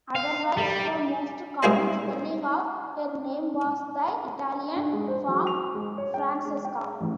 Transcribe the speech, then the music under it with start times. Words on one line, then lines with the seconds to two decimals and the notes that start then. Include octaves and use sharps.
Otherwise, the most common spelling of her name was the Italian form, Francesca.
0.15 F5
0.57 G3
1.63 G3 A#3 E4 G#4 C5 D#5
4.76 D4
4.93 G#3
5.08 C5
5.28 F#3
5.47 F7
5.75 G#3
5.98 C#5
6.14 G5
6.45 G#3
6.65 G5
7.01 A1